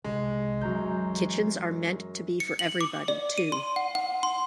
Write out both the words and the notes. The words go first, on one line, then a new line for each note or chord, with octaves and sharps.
Kitchens are meant to be for everybody too.
C2 G#3
F#2 E3 A#5 G6
C#7
F#7
D6
D5
D#7
C6
F#5
F#5
C6